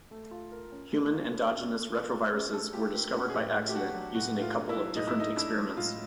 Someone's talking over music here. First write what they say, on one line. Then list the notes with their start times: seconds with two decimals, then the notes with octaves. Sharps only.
Human endogenous retroviruses were discovered by accident using a couple of different experiments.
0.11 A3
0.31 F4
0.52 A#4
0.72 C#4
0.92 A3
1.12 F4
1.32 A#4
1.53 C#4
1.73 A3
1.93 F4
2.14 A#4
2.33 C#4
2.53 A3 A4
2.73 F4 G4
2.94 G4 A#4
3.14 C#4 F#4
3.29 G#4
3.34 A2 G4
3.55 A3
3.69 G4
3.75 D4 F#4
3.95 F#3
4.15 A2 F#4
4.35 A3
4.42 F4
4.56 D4
4.69 E4
4.76 F#3
4.96 A2 D#4
5.07 E4
5.16 A3 D#4
5.37 D4 E4
5.57 F#3
5.77 A2 F4